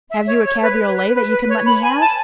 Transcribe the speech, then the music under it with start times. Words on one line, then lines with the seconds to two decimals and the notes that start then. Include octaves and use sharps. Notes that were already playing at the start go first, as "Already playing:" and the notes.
"Have you a cabriolet that you can let me have?"
0.10 E5
0.27 C#5
0.44 C#5
0.62 B4
0.80 B4
0.96 B4
1.14 B4
1.31 B4
1.49 C#5
1.66 B5
1.82 G#5
2.01 A5